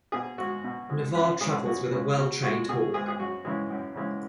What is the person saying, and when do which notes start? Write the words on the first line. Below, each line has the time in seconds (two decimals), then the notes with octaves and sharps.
Navarre travels with a well-trained hawk.
0.12 B2 G#4
0.38 G#3 F#4
0.64 B2
0.90 G#3
1.15 F#2 B4
1.41 C#3 G#3 G#4
1.66 F#2 F#4
1.92 C#3 G#3
2.17 B2 F#4
2.42 G#3 F#4
2.69 B2 G#4
2.94 G#3 G#4
3.08 G#4
3.20 F#2 F#4
3.45 C#3 E3 G#3
3.70 F#2
3.96 C#3 E3 G#3